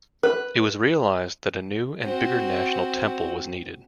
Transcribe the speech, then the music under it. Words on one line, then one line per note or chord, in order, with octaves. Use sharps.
It was realised that a new and bigger national temple was needed.
B4
C4 F#4